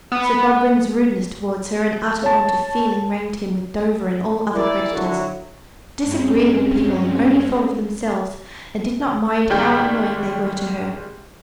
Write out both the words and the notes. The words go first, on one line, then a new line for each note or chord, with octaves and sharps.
Sir Godwin's rudeness towards her and utter want of feeling ranged him with Dover and all other creditors--disagreeable people who only thought of themselves, and did not mind how annoying they were to her.
B3
C#5 A5
E4 G#4 A#4 D5
D3 F#3 E4 F#4
G2 G#3 C4 C#4
G#1 G3 G#3 G4 G6